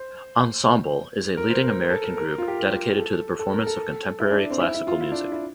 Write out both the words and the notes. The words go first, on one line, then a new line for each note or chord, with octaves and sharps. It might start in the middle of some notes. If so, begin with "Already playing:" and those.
Ensemble is a leading American group dedicated to the performance of contemporary classical music.
Already playing: C5
A#4
C5
A#4
A4
A#4
A#4
F4
G4
A#4
A4
A4
A#4
A4
E4
D4
C4
E4
E4
F4
E4
D4
E4